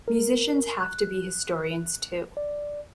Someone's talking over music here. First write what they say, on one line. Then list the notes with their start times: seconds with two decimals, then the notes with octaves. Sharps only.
Musicians have to be historians, too.
0.08 A#4
0.81 F#6
2.37 D5